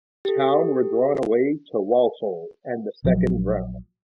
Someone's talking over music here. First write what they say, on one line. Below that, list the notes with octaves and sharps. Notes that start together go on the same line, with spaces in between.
Town were drawn away to Walsall in the Second round.
G4 A4
A#1 F3 F#3